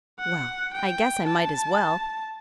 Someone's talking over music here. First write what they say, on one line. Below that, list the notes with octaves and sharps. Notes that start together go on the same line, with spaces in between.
Well, I guess I might as well.
F#5
G5
A5